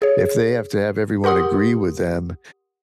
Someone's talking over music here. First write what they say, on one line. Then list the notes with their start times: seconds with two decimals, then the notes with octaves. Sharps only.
If they have to have everyone agree with them
0.02 G#4 C#5
1.24 G4 A#4 F#5 C6 D#6